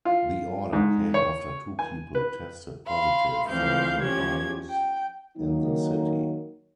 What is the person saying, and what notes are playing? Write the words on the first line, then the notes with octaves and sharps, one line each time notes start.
The order came after two people tested positive for the virus in the city.
F4
G#2
C#5
G#5
B4
F5 B5 C6
D2 E3 F3 C4 F5 G6
F3 C#4 G4 G#6
G5
D#3 F#3 A#3 D#4